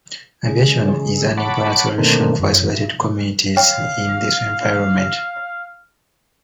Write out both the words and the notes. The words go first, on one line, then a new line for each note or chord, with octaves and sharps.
Aviation is an important solution for isolated communities in this environment.
C#3 G#3
C#5 F#5 A5 B5 D6
B2 D3 D#3 A3 A#3 C4
F#2
C#5 F5 G5